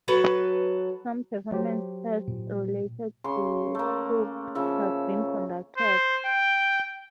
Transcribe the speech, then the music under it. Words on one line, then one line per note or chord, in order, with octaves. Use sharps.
Some performance tests related to cloop have been conducted.
F#3 A4 B4
F#3 G4 C5
A#2
C#3 C6
A3 A#3
C#3 F3 E5
C5
G5